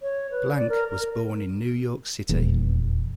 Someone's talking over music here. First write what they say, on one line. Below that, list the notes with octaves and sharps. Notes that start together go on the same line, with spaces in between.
Blank was born in New York City.
C#5
B4
D5
A#4
A#4
D#1 E2